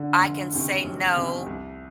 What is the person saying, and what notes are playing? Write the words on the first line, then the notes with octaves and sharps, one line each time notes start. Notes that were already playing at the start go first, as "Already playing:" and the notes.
I can say, "No."
Already playing: D3
F1
E2 C3 D#3
F1
E2 C3 D#3
C2